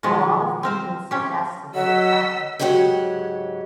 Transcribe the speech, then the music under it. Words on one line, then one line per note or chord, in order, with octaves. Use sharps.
A lot of people suggested it at the time.
B2 D#3 F3 G#3
C4 A#4 C5
C3 C#4 G4
F#3 D#5 F#5 E6 B6
G#2 C#3 F#3 G4 B4 F#5